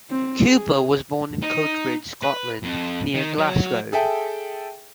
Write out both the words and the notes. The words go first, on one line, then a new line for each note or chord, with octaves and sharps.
Cooper was born in Coatbridge, Scotland, near Glasgow.
C4
G#4
D#4
B4
F2
D#3
F#3
G#4 A4 E5 G5